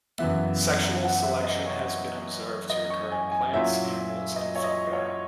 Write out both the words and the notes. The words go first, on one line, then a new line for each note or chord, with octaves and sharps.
Sexual selection has been observed to occur in plants, animals and fungi.
F#2 C#3 E3 B3 E5
F#5
E5
D#5
C#5
D#5
C#6
G#5
G#5
A#2 F#3 C#4 E4 E5
D#5
C#5
D#5
D#5
C#5